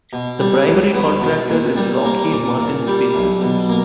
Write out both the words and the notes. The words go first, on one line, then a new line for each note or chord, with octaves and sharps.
The primary contractor is Lockheed Martin Space Systems.
B2
G3
C#2
B3
B2
A#2
G3
A#3
A#2
A#2
G3
B1
B2
A#3